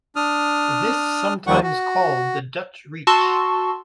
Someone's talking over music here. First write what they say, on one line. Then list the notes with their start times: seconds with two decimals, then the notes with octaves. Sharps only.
This sometimes called the "Dutch Reach".
0.16 D4 D#6 F6
1.47 D#2 D#3 F3 G3 F#5 C#6
1.63 F#4
3.07 F#4 A5 C6 C#6 E6